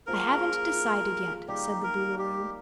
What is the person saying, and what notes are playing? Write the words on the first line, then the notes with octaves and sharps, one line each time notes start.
"I haven't decided yet," said the Boolooroo.
F3 A#3 F4 G#4 A#4
D#3 G3 A#3 D#4 G4
A#4
G4